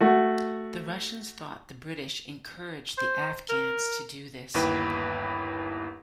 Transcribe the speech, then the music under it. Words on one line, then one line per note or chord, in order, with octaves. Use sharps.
The Russians thought the British encouraged the Afghans to do this.
A3 F#4
C5
A#4
G1 D#2 E4 B4 G5